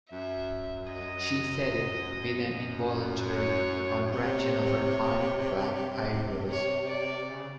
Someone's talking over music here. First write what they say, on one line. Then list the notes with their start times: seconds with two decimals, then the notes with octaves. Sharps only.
She said it with an involuntary contraction of her fine black eyebrows.
0.11 F#2 E5
0.91 D#5
2.45 F2
2.52 F#2
3.31 C#5
4.11 C3 C#5
6.50 C#5
6.89 D5
7.29 C#3